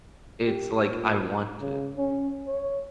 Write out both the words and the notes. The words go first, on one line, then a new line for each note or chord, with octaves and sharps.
it's like I want to,
G4
A#2
C#3
C#4
C#5